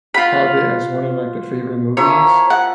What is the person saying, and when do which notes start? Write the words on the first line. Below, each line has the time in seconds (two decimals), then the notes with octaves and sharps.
have it as one of, like, their favorite movies,
0.14 F4 F#5 B5
1.97 F3 A#3 E4 C#5
2.50 F#5